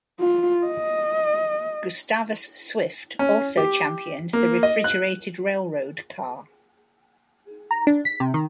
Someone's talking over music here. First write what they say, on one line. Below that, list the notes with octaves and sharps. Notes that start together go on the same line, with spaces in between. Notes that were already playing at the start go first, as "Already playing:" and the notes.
Gustavus Swift also championed the refrigerated railroad car.
F4
D#5
C#4
G4
A#3
D#5
F#6
A#5
D4
B6
C3
D#3